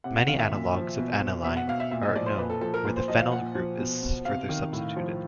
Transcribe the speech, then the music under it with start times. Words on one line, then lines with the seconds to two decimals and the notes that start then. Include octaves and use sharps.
Many analogues of aniline are known where the phenyl group is further substituted.
0.04 C3 F#5
0.17 F#5
0.27 D#3 F5
0.39 E5
0.52 A#2
0.75 F3
0.98 B2
1.22 B2
1.44 B2 E5
1.57 F#5
1.68 B2 F5
1.80 E5
1.91 A#2 E5
2.03 D#5
2.16 F3 D5
2.26 C5
2.38 A#2 B4
2.50 A4
2.61 F3 A4
2.74 A#4
2.85 A#2 B4
2.96 C5
3.08 F3 D#5
3.21 F5
3.32 A#2 F#5
3.55 F3
3.78 B2
4.03 B2
4.25 C3 F5
4.49 D#3
4.73 A2
4.96 F3